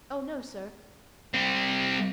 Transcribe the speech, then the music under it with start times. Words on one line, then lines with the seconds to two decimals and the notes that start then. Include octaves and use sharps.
Oh, no, sir!
1.34 G3 C4